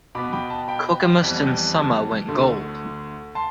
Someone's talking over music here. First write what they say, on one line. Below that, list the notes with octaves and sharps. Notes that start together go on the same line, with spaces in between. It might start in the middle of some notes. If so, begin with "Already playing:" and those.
"Kokemusten Summa" went gold.
B2 B3 B5 D6
G5 B5
A5
G5 B5
F2 E3 G3 B3
A5
D2 D3 A3
A5 C6